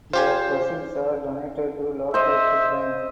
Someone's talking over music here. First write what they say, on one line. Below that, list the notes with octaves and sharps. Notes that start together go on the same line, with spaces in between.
The proceeds are donated to local food banks.
F4 G4 C5 G#5
C5 D#5 E5